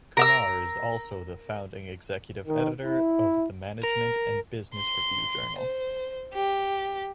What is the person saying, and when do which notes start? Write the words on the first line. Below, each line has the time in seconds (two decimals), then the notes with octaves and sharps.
Kumar is also the Founding Executive Editor of the Management and Business Review journal.
0.17 A#4 A#5 E6
2.46 D#3
2.84 E4
3.83 A#4
4.75 C6
5.58 C5
6.34 G4